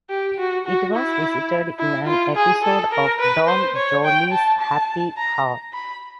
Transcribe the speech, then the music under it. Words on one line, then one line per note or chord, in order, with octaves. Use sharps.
It was visited in an episode of "Dom Joly's Happy Hour".
G4
F#4
F#4
E4
E4
F4
G#4
A4
A#4
B4
C5
C#5
G5
A5
A5
A#5
B5